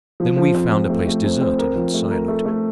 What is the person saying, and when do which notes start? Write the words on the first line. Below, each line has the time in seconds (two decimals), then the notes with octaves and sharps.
Then we found a place deserted and silent.
0.20 F3
0.36 F3
0.55 C4
0.72 F3
0.89 A3
1.07 A3
1.24 C4
1.41 C4
1.59 A#4
1.76 F3
1.94 A3
2.11 A#4
2.28 A3
2.46 A3